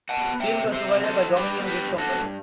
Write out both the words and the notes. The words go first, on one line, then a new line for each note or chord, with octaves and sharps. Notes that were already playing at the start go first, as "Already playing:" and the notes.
Steel was provided by Dominion Bridge Company.
F#5 A5
B3
C3 E5 G5
C3
C5 E5
F#3
A4 C5
F#3
G3 G4 B4
B3
G4 B4
G2
F#4 A4
G2